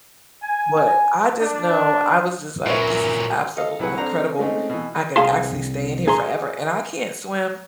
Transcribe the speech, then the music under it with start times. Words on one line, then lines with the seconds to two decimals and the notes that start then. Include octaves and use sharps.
but I just know I was just like, "This is absolutely incredible. I could actually stay in here forever." And I can't swim,
0.43 G#5
1.39 D4
2.66 A#2 F#3 C#4 A#4 B4 E5
3.57 A4 D#5 F5
3.79 C2 F#3 E4 G#4 B4 F#5
3.98 C4 D4 A4 C5 A#5
4.39 G#3 A3 C4 C#4 D#4
4.69 B2 E3
5.16 C2 G#4 F5 A5 C6
6.07 G#4 A#5 C6